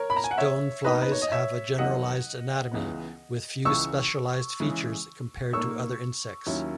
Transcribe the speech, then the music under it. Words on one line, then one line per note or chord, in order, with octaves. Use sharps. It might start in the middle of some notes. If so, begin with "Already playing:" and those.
Stoneflies have a generalised anatomy, with few specialised features compared to other insects.
Already playing: A#4 C#5
B5
A#5
G#5
F#5
C#5 E5
B2 A#3 D#4 B4 D#5
B4
C#5
D#5
C#5 E5
E2 D#3 F#3 D#5 F#5
C#2 C#3 E3 B3
C#2 C#3 E3 C#6 E6
C#3 E3 G#3
A#2 A#3 D#4 C#6 E6
D#2 D#3 F#3 C#4 E4